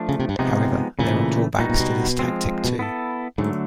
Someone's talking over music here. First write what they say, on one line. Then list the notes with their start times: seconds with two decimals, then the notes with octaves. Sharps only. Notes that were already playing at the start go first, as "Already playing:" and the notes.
However, there are drawbacks to this tactic, too.
Already playing: F3 A3 D4
0.09 C#3
0.20 C3
0.29 G2
0.39 C3 F3 G#3 B3 D#4 G4
0.99 A#2 C#3 E3 A3
1.59 A#2 G3 B3 D#4 F#4
1.69 A#2
1.80 B2
2.19 F3 G#3 C4
2.64 B2
2.79 B3 E4 A4
3.38 G#2 D3 F#3 A3